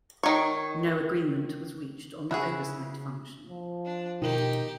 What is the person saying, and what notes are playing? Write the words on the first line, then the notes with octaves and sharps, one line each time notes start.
No agreement was reached on the oversight function.
D#3 C#5
C#3 E4 F#4 G#4 F#6
F3
D4
B2 D#3 D#4 G4